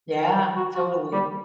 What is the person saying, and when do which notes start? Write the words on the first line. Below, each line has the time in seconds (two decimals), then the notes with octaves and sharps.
Yeah, totally.
0.57 F#4
0.75 F#4
1.12 G3